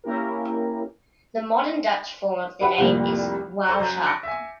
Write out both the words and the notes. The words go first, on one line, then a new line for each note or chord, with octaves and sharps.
The modern Dutch form of the name is "Wouter".
A#3 C#4 E4 G4 A#4
G4 B4 E5 F#5 B5
C2 F2 A2 F3 G3 A#3
A4 C5 A5 A#5 C#6
F#2 A#5 G6
C#6 D6 A6 A#6 C#7 D7
E5 G#5